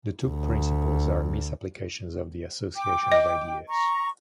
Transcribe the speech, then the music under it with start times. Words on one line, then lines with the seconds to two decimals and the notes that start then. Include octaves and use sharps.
The two principles are misapplications of the association of ideas.
0.25 D2
2.75 G5 D6
3.12 D#5
3.68 A#5 C#6